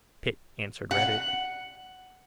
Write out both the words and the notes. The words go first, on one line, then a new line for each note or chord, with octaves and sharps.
Pitt answered readily.
F#5